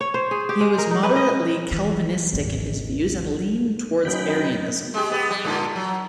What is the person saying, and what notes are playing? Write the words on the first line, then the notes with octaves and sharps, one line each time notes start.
He was moderately Calvinistic in his views and leaned towards Arianism.
C#5
C5
G#4
G4
G#3
A#4
D#4
B4
D#5
E3
G#1 D#2
F#2 D#4 G5 B5
G#3 G4
B3 G4
G3
G2 A#2 D3
F#3